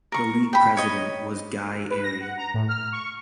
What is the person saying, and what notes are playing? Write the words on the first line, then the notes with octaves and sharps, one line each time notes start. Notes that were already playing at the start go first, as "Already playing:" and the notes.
The league president was Guy Airey.
A#4 C#6
G5 B5
C#5 D#5
B4
A#6
F#5
A#5
A2
F6
C#6